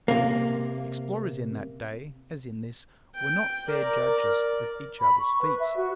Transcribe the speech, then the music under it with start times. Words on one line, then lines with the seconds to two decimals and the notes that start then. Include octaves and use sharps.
Explorers in that day, as in this, were not fair judges of each other's feats.
0.08 C3 A#3
3.15 G5
3.68 A#4 D5
5.00 B5
5.19 C#6
5.41 B4
5.60 E5
5.77 F#4